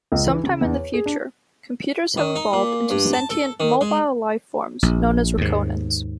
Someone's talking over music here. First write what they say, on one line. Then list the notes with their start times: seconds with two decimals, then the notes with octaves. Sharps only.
Sometime in the future, computers have evolved into sentient, mobile life-forms known as 'Rakonans'.
0.12 C#2
0.27 E3
0.44 C#3
0.61 E2
0.74 C#5
0.94 G#4
1.06 D4
2.17 D#3
2.36 D#4
2.53 A#2
2.90 G2
3.13 A5
3.30 A4
3.60 D#3
3.81 G#3
4.83 A#1
5.38 D#2 G#2